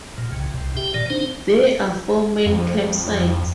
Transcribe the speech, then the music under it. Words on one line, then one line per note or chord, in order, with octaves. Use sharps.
There are four main campsites.
A#2
C2 C#3
C2 C3
G4 E5 G5
A#2 D#3 D5
C4 D4 D#4 C5
F2